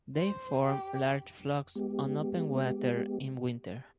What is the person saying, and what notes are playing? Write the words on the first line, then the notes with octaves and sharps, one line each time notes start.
They form large flocks on open water in winter.
C5
G4
G#3 B3 G4